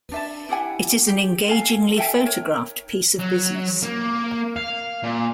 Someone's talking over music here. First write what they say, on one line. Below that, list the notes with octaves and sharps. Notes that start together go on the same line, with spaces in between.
It is an engagingly photographed piece of business.
D4 E5 A5
E4 G4 F#5 G#5
G4 G#4
A4 F5 G#5
A4 E5 G5 G#5
A#4 C#5
F#3
A#3
F5
A#2